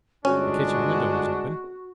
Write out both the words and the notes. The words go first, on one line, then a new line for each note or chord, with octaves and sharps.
The kitchen window was open.
G1 G#3 C#4 D4 F#4